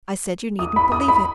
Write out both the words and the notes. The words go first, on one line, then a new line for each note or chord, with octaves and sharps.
I said, you need n't believe it.
D#6
B5
D#6
B5